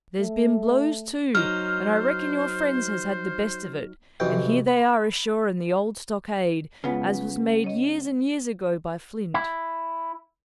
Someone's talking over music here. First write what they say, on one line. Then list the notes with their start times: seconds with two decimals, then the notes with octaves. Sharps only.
There's been blows too, and I reckon your friends has had the best of it; and here they are ashore in the old stockade, as was made years and years ago by Flint.
0.20 A3
1.35 F#3 D#4 C5 F6
4.20 B1 F2 C3 E3 G5
4.68 B5
6.84 C#3 G#3 B3 F4
7.64 C#5 D#5
9.34 E4